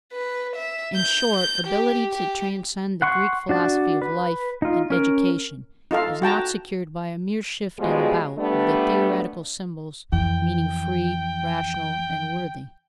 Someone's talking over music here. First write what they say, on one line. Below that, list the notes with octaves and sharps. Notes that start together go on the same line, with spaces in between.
In short, ability to transcend the Greek philosophy of life and education is not secured by a mere shifting about of the theoretical symbols meaning free, rational, and worthy.
B4
E5
G6
G6
G4
G4
F#5 C6 C#6
D4 F#4 D5
B4
D#4 F4
C#4 A#4
D#4 F4 A4 F5
F#4 G5 A5 A#5
B2 F3 G3 G#3
G3 A3 B3 D4
F2 E3 G5